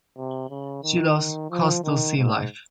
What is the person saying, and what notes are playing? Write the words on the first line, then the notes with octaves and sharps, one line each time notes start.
She loves coastal sea life.
C3
C#3
D#3
F3
D#3
G#2